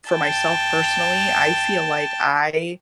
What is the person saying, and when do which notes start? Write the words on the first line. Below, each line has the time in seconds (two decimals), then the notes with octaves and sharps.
for myself personally, I feel like I
0.10 G5 A5